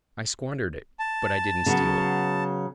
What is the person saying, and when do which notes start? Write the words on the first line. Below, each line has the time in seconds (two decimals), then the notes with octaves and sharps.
I squandered it, but I didn't steal it.
0.99 A5
1.66 C#3 F#3 B3